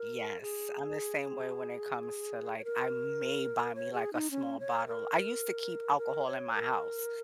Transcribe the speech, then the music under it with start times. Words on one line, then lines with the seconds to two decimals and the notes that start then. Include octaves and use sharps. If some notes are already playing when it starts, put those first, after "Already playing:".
Yes. I'm the same way when it comes to, like I may buy me, like, a small bottle. I used to keep alcohol in my house.
Already playing: A#4
0.42 G#4
2.57 C#5
2.64 A#4
3.75 C#5
3.94 G#4
4.13 D#4
4.31 C#4
4.60 C#5
4.87 A#4
5.98 A#4
6.26 C#5
6.54 A#4